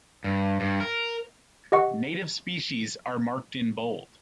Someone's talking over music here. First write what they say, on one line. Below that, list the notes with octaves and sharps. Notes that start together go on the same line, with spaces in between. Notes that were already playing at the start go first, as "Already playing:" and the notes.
Native species are marked in bold.
G2
G2
A#4
G4 D#5 F#5 C#6